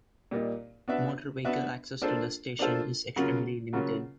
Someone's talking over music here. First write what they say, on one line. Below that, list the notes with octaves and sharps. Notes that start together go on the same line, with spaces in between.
Motor vehicle access to the station is extremely limited.
A#2 G3 A#3 D#4
B3 D4 F#4 B4 E5
B3 D4 F#4 B4 E5
A#3 D4 F4 A4 C5
A#3 D4 F4 A4 C5
C#3 F#3 A#3 C#4 F4
C#3 F#3 A#3 C#4 F4